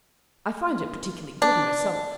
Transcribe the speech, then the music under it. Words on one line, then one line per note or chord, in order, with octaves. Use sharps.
"I find it particularly good myself."
D4